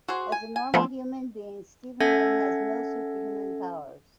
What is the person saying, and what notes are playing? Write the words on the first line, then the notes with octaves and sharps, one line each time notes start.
As a normal human being Stephen Lang had no superhuman powers.
F#4 G#4 C5
G#5
G#5
F3 A3 B3 C4
C#4 A4 E5 F#5 G#6 A#6